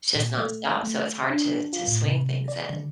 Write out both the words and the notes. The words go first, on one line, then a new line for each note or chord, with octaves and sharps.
It's just nonstop, so it's hard to to swing things in.
A#2
A3
A3
D4
F4
A2
C3
D5
D3